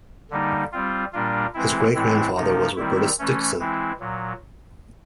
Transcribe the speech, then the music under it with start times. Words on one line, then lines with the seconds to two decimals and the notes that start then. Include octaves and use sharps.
His great grandfather was Robertus Dixon.
0.30 D3 G3 A#3 D#4
0.72 G3 C4 F4
1.13 A#2 G3 A#3 D4 F4
1.54 E3 G#3 C4 E4
1.95 A2 E3 G#3 C4 E4
2.36 C3 F3 A#3 D#4
2.77 D#3 G3 C4 E4
3.19 E3 A3 C#4
3.59 E3 G#3 C4 E4
4.00 A#2 F#3